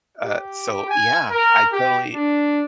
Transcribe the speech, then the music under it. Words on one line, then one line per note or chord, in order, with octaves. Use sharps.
Uh, so yeah, I totally
G4
G#5
A#4
G4
D4